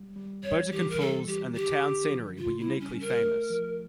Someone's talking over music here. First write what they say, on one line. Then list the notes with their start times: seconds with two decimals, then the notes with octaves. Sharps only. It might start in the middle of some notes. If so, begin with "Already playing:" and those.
Botocan Falls and the town's scenery were uniquely famous.
Already playing: G3
0.16 G3
0.43 F2 C#5
0.72 E3 G4
0.90 A#4
1.00 G3 A4
1.27 G3 G4
1.55 D3 G4
1.83 D3
2.10 F3
2.38 C#3 F4
2.59 E4
2.67 G3
2.80 C#4
2.95 G3
3.01 A#4
3.22 A3
3.50 F3